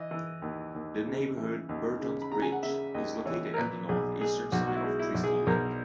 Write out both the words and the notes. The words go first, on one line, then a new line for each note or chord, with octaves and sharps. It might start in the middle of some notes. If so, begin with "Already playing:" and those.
The neighborhood Burtons Bridge is located at the north-eastern side of Crystal Lake.
Already playing: E3 D#5
E3
D#2
D#2
C#3
E3
D#2
C#3
B5
C#3 A#5
G#5
F#5
C#3 E5
D#2 D#5
E3 C#5
A#4
A#2 B4
B1 G#4
G#3 G#4
B1 F#4
F#4
E4
G#3
E4
B1
G#4
B1 A#4